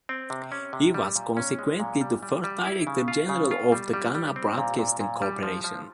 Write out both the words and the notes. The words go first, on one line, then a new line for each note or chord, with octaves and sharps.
He was consequently the first Director General of the Ghana Broadcasting Corporation.
C4
C3
C#4
C3
G3
A#2
C#4
G#3
A#2
G3
G3
G3
E4
C#3
F4
C#3
F4
G3
G3
G3
C4
A#2
A#2
A#2
G3
F3
F3